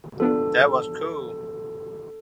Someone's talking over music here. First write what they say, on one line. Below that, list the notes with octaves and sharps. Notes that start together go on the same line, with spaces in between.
That was cool.
F3 B3 D4 A4